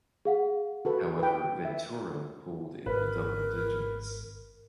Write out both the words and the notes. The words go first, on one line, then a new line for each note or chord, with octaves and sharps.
However, Ventura polled in the double digits.
G#4 F5 F#5
F#4 A4 B4
B4 G5
E5
G#1 A#4 B4